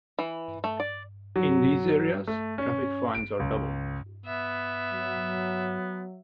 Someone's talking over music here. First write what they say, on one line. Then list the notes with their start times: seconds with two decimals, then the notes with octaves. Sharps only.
In these areas, traffic fines are doubled.
0.19 E3
0.64 A3
0.80 D5
1.36 F#3
2.27 A3
2.58 C#4
3.15 D7
3.40 C#2
4.25 B3 E5
4.93 F#3